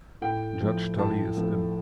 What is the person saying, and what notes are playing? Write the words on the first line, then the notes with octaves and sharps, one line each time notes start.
Judge Tully is in.
A2 G5
F3 A3
A2 A5
F3 A3